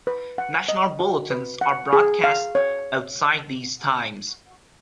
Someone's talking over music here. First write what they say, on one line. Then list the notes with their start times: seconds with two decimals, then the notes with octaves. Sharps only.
National bulletins are broadcast outside these times.
0.07 B4
0.38 F#5
0.69 D#5
1.00 F#4
1.31 B4
1.61 F#5
1.93 G#4
2.24 F5
2.55 C#5